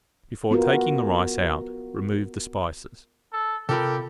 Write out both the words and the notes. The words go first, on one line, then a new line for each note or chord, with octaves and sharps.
Before taking the rice out, remove the spices.
B3 F4 F#4 A#4
A4
C3 F4 G4 A4 A#4 B5